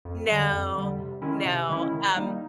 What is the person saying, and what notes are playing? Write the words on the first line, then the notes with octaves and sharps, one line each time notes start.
No, no, um
F2
D3 G3
F2
D3 G3
C3
D#3 G#3 C#4 E4
C3
D#3 G#3 C#4 E4
D#3
G3 A#3 D#4